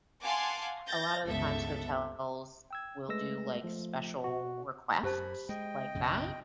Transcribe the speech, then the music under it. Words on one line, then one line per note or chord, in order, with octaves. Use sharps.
A lot of the times hotels will do, like, special requests like that.
F5 F#5 G#5 A5 C6 D6
G6 A6 A#6
G1 C#2 B3 A4 E5
G5 E6 G#6
G#3 A3 B4 E6 A#6
F3 A3
B2 F#4
F#2 G4 C5 A5 B5
G#3 D#5 G5
B1 F#2 C#3